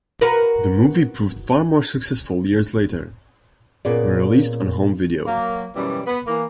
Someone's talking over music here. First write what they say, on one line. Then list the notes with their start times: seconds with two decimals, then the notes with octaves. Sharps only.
The movie proved far more successful years later, when released on home video.
0.21 F#4 A#4 B4
3.85 A#2 B3 C#4 G#4 B4 D5
5.26 F#3 A#3
5.76 F#2 B2 E3 G3
6.07 B3 B4
6.27 E3 A#3